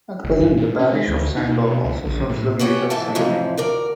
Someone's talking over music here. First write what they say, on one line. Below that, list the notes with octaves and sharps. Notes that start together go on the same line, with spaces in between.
At present, the parish of Sandor also serves the village of Saloli.
F#1
F#2
A#2
C#4
G#3
D2
D#4
B2
C#2
A#1
A2
B3 C#4 G4 F#5
G#2 E3 E5 A5
F2 A2 C3 E3 F3
D2 A#4 D5